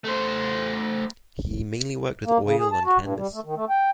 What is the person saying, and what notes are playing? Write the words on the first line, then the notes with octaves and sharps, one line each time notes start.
He mainly worked with oil on canvas.
A3 C5
A#3
C#3
G#4
A5
F#4
G2
G3
A3
D#3
A3
G5